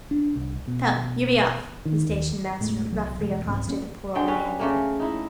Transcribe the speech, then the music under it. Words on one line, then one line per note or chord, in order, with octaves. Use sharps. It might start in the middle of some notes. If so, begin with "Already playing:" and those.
"Come, you be off!" the Station-master roughly accosted the poor old man.
D4
C2
B2
D#3
D#2
E1 A1 A2 G#3
C2 F#3
E1 G#3
C2 G#2 G#3 C4
F#2 A#3 C4 C#4
D3 F#3 G#3 G5
G3 C#4 B4
C#3 A3 A#3
D#4 E4